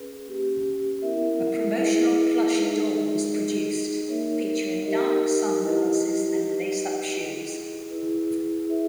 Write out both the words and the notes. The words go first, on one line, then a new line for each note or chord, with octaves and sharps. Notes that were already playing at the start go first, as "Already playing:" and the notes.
A promotional plush doll was produced, featuring dark sunglasses and lace-up shoes.
Already playing: C#4 G#4 B4
A#3 C#4 G4
B3 E4 A#4 E5
E4 G#4 B4 D#5
G#3 D#4 G#4 C#5 E5
D#4 G#4 D#5
A#3 D#4 A#4 C#5 E5
D#4 G4 A#4 D#5
E4 G4 B4 D#5
D#4 G4 B4 D#5
E4 G#4 D#5
E4 G#4 B4
E4 G#4 B4 E5